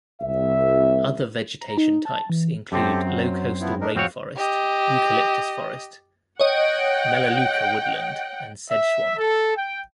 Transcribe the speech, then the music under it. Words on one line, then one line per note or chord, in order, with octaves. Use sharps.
Other vegetation types include low coastal rainforest, eucalyptus forest, melaleuca woodland and sedge swamp.
C2 E5
A#5
D#4
A5
E3
F#2 C4 G4 A4
F#3
F3 B3 E4
D4 D#4 A#4
F2 C4 F#4 C#5 F5
G4 D#5
C#5 D#5 F#5 G5
E5
A4
G5